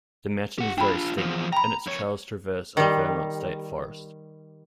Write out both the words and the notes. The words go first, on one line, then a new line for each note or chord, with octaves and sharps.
The mountain is very steep, and its trails traverse a Vermont state forest.
G4 F#5
D4 F4 G5 B5
E2 F3
G5 A#5 B5
F2 C#5
D#3 G3